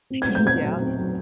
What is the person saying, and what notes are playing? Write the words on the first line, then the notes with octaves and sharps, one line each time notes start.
Y yeah,
C4
G#6
C4
G6
C4 G#6
F#3
C4
F#3